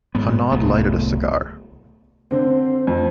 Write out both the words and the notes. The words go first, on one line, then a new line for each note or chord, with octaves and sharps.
Hanaud lighted a cigar.
G#2 B3
D1 C2 A3 B3
D3 C4 C5
F2